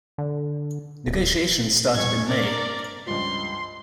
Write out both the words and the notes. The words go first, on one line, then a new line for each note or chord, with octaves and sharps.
Negotiations started in May.
D3
D1
A#1 E2 G2 C#6 G#6
A#3 D4 A#4 D5
C#2 G2 F3 C6